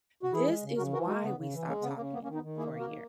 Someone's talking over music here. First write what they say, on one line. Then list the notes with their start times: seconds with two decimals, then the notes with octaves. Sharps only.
This is why we stopped talking for a year.
0.23 F#4
0.33 E3 E4 G#4
0.47 G#3
0.63 C#3
0.77 C#3 F#4 A#4
0.93 E3 F#4 A#4
1.07 G#3 D#4 F#4
1.22 C#3 B3
1.38 C#3
1.53 E3
1.67 G#3 A#3 C#4
1.82 C#3 B3
1.97 C#3 A#3
2.13 A#3 B3
2.23 A#3 C#4
2.28 D#3
2.34 B3 D#4
2.43 D#3
2.57 A#3 E4 G#4
2.72 A#3
2.79 F#4 A#4
2.87 D#3